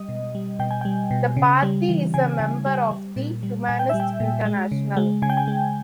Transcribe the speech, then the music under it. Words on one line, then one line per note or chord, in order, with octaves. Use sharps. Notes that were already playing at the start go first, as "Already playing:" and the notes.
The party is a member of the Humanist International.
Already playing: G3 D#5
B2
G3
B2 G5
G#5
G3 G5
B2
C#3
G3
E3
C#3 G#5
C#3
G3
G3
A#2
G3
A#2 G#5
G5
G3 E5
G5
A#2
G#3
C#3
G#3
C#3 G#5
G5
G#5
G#3